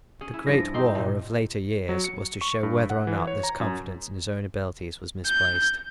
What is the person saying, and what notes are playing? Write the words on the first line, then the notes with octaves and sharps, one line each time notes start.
The Great War of later years was to show whether or not this confidence in his own abilities was misplaced.
C#4 G#4
E4
G2 F3 A#6
C4 D#4 G4 C6
G2 A#2
F#3
C#7
C#6
G2
F#5
E3
C#5
A#5
F#2
G6